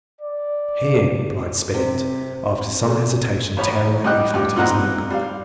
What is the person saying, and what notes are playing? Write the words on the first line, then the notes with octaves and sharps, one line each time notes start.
"Here," replied Spilett, after some hesitation tearing a leaf out of his note-book.
D5
C3
A3
A1 C#5 B5
G2 D#5 G5 F#6
G2 G4
A#2 C4 D#4 F#5 A#5 F#6
G3 F5